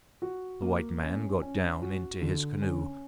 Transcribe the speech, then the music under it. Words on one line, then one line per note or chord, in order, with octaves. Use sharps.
The white man got down into his canoe.
F#4
A#3
C#4
C#4
F#4
D3
C#4